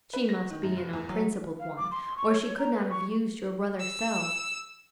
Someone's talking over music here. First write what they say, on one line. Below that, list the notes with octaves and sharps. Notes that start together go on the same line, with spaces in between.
She must be an unprincipled one, or she could not have used your brother so.
B4
A#6
D#3
F#2
F1
E2
F#3
F5
D6
C6
C#6
C#5
C#5
A#5
B4
C#6
E6